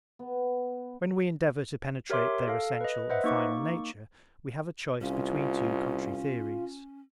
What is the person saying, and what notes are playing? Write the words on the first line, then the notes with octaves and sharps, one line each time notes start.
When we endeavour to penetrate their essential and final nature, we have a choice between two contrary theories.
B3
G4 A#4 C#5 E5 C6 D6
A4 F5
B4 D#5
B4 C5 D#5 E5 F#5
A#3 D#4 C#6 D6
C2 C#4 F4